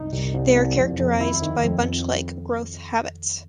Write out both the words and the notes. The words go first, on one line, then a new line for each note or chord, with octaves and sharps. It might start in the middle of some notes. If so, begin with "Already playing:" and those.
They are characterized by bunch-like growth habits.
Already playing: C2 F#2 D#4
C2
C2
C2
F2
F2
D#2 E4
D#3
F2